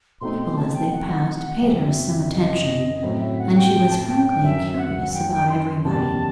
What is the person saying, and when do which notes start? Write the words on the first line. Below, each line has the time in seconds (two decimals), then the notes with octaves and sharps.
People, as they passed, paid her some attention, and she was frankly curious about everybody.
0.21 B2 A3 C4 D#4 C6
0.39 C6
0.56 A5
0.74 G5
0.92 F#5
1.61 F#1 F#2 F#3 C4 E5
2.33 D#5
3.03 A2 F#3 C4
3.20 E5
3.39 F#5
3.56 G5
3.74 G5
3.90 A5
4.09 G5
4.25 G5
4.43 F#2 D#3 F#3 E5
4.78 F#5
5.14 G5
5.31 G5
5.50 C6
5.85 F#1 E2 D#3 G3 A5